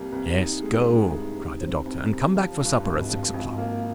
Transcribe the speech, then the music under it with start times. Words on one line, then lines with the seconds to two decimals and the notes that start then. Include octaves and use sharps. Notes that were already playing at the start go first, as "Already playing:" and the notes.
"Yes, go," cried the doctor, "and come back for supper at six o'clock."
Already playing: C2 G3 A#3
0.12 C2
0.37 D#4
0.63 G#3
0.87 G2
1.11 D#4
1.36 C3
1.60 C4
1.85 C2
2.10 G3
2.35 F3
2.60 G2
2.84 G#1
3.09 F3
3.33 G#1
3.58 A#3